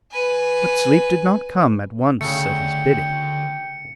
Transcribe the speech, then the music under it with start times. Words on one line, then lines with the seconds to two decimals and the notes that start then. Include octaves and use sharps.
But sleep did not come at once at his bidding.
0.11 B4 G#5
2.21 D2 C#3 A3 G5 C#7